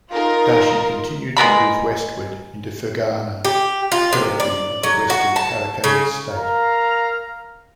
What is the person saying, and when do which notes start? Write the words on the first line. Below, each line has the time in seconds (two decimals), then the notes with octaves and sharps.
Dashi continued to move westward into Ferghana, territory of the Western Karakhanid state.
0.12 D#4 F4 A#4
1.37 G#3 B3 A#4 B5
3.45 G4
3.92 F4
4.13 C3
4.40 D5
4.83 F#3
5.10 F#4
5.36 A5
5.84 C#3
6.30 A#4 F5 A#5